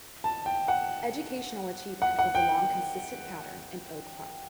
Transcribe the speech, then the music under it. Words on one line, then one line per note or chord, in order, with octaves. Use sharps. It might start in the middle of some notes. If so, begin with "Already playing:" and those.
Educational achievement was the long consistent pattern in Oak Park.
A5
G5
F#5
F#5
F#5
G5